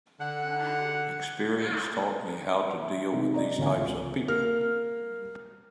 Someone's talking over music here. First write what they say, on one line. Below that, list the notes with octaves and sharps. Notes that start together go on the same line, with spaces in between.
Experience taught me how to deal with these types of people.
D3 F#5
E5
C3 G#3 D#4
D5 D#5 A#5
A1 D3 B3 C#5 F5 G#5
C#2
A#3 F6